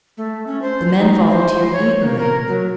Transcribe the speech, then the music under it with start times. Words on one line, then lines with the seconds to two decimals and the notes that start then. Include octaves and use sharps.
The men volunteered eagerly.
0.17 A3
0.47 C#4
0.62 C5
0.98 D#4
1.30 C5
1.72 C#5
2.02 A#3
2.19 A#4
2.47 F#3